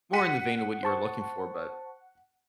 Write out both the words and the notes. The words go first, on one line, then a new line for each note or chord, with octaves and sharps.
more in the vein of what you're looking for, but,
F#5 B6 D#7
C5 A5 C#6